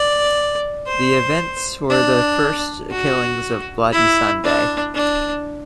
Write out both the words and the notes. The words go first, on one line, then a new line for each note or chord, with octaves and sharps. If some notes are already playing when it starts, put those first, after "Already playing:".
The events were the first killings of Bloody Sunday.
Already playing: D5
C5
D4
F#4
E4
D4
D4